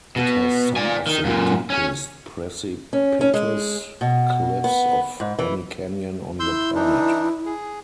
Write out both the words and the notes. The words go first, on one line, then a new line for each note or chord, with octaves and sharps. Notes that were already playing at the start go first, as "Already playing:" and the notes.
It has some of the deepest precipitous cliffs of any canyon on the planet.
B2
D5 G#5
D#3
F#2 A#2
C#4 C#5
C#4
C#4
G#3
B2
B3
G#2
E3
E4 C6 E6 G6
E3 D4 D#4
G#4